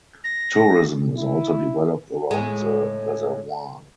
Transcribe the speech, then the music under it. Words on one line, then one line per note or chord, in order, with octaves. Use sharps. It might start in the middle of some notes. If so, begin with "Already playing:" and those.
Tourism is also developed around the Reservoir.
A#6
E4
A2 G#3